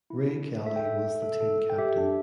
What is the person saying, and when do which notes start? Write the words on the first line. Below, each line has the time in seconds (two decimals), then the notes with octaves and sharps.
Ray Kelly was the team captain.
0.10 E4
0.29 A4
0.48 D4
0.66 A4 E5
0.76 G5
0.85 A4 E5
1.04 A4
1.22 A4
1.41 A4
1.60 A4
1.70 G5
1.78 G4 E5
1.97 D4